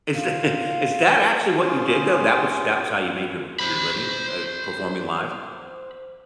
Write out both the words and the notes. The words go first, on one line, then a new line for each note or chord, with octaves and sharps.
Is that is that actually what you did though? That was that was how you made your r your living, uh, performing live?
F4 F5
B3 C#4 F4 G4 G#4
C5 B5